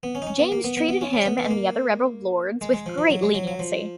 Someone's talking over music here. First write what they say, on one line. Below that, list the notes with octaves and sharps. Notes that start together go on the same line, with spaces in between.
James treated him and the other rebel lords with great leniency.
B3
C#4
D#4
C#4
B3
A#3
B3
B3
B3
C#4
C#4
B3
B3
G#3
A#3
G#3
G#3
F3
F3
F#3
G#3
F#3
F#3
F3